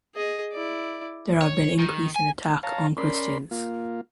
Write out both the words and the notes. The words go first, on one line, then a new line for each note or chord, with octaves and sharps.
There have been increase in attack on Christians.
G#4 D#5
E4 D5
C#5
D#3
G#5
C#5 F5 A5 A#5
C#4 A#4 D5 B5 C6
A#3 F4